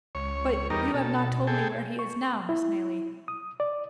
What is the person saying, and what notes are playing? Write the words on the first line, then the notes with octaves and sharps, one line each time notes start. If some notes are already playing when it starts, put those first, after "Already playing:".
But you have not told me where he is now, Miss Maylie.
C#2 C#5
E2 G3 D#4 A#4
B2 A4
G#4 A4 G5
C#6
E4
D#6
D5